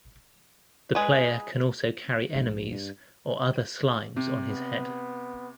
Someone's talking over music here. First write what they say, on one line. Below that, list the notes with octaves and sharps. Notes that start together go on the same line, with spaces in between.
The player can also carry enemies or other slimes on his head.
G#3 B4
A#1 G#2
G2
C3
B3